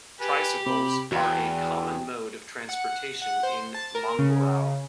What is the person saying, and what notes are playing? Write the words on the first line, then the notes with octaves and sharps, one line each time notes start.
Tricycles are a common mode of transportation in Mamburao.
G4 B4 G#5
C3 B5 D6
E2 F#4 G5
F#5
F#5
C5
A5
A#4
C#3